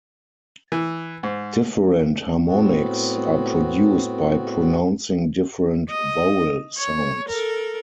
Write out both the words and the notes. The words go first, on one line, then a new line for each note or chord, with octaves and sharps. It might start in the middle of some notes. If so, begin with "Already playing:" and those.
Different harmonics are produced by pronouncing different vowel sounds.
E3
G#2
A2 B3 C4 F#4
D#5
C#5
A4 A#4